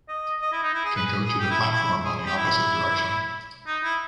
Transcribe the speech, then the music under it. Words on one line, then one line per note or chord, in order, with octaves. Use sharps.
Can go to the platform on the opposite direction.
D#5
D#5
E4
D#4
E4
G#4
B4
G#4
G#4
G4
E4
E4
E4
G#4
G4
E4
D#4
E4